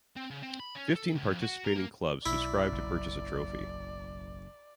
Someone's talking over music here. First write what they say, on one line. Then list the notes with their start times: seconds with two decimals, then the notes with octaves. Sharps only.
Fifteen participating clubs subscribed to purchase a trophy.
0.16 C4
0.30 C#3
0.42 C4
0.60 B5
0.75 C#4
0.95 A4
1.14 C#2
1.29 F2
1.41 F#4
1.64 A#4
1.76 A#3
2.26 B1 E4 D5
2.72 F#1 B1